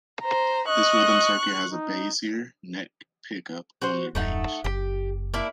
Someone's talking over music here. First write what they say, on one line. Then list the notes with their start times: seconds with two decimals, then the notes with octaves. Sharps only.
This rhythm circuit has a bassier, neck-pickup only range.
0.23 C5 A#5
0.68 D#5 C#6 F#6
1.71 D#4
3.82 F#4 C5
4.15 D#1 F#2 A3 D#4 F#5
4.64 F#1 G4
5.34 A#3 D4 E4